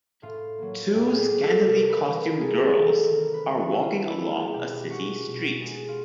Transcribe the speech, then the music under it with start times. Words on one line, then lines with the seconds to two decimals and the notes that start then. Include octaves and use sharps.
Two scantilycostumed girls are walking along a city street.
0.22 A2 F4
0.58 F#3 A#3
0.94 A2 G4
1.07 G#4
1.18 G4
1.31 F#3 A#3
1.43 A4
1.66 C3 A#4
1.84 A#4
1.90 B4
2.03 E3 A3
2.15 A#4
2.38 C3 G#4
2.74 E3 A3 A4
3.10 D#3 A#4
3.34 B4
3.47 G#3
3.58 F#4
3.71 E4
3.82 D#3 F4
4.06 E4
4.18 G#3
4.30 F4
4.54 B2 G4
4.89 G#3 F#4
5.26 B2
5.62 G#3
5.88 F4